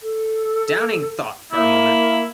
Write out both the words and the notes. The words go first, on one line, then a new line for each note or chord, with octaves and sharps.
Downing thought for a moment.
A4
A#3 E4